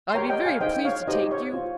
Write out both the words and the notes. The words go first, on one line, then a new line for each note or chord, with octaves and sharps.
"I'll be very pleased to take you."
C6
G4 A#4 C#5 G5 A#5
D#5 G5
F5 G#5
D#4 G#4 C5 D#5 G5
C#5 F5
D#4 G4 C5 D#5
C#5
F4 C5